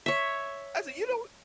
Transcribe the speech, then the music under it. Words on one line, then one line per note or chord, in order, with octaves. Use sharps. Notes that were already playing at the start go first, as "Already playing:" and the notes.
said, "You don't"
C#5 E5